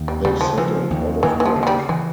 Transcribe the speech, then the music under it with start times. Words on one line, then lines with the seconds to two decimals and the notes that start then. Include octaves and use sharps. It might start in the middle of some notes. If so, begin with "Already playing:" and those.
They settled out of court.
Already playing: D#2
0.08 G3
0.25 C#3 G3
0.41 F3
0.58 E3 F3
0.90 D#2
1.23 D#2 E3
1.40 E3
1.46 F3
1.56 C#3
1.63 G#3
1.67 G3
1.89 E3 G#3